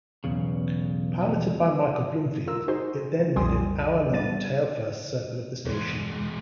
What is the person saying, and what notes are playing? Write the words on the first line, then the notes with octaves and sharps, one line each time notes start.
Piloted by Michael Bloomfield, it then made an hour-long, tail-first circle of the station.
B1 E2 C#3
F4 A#4 E6
D#4 F#4 G#4 C5
E3
B1 F2 G3 G#5 C6 D#6
G3 B3 D4 A6 D#7
E2 G#3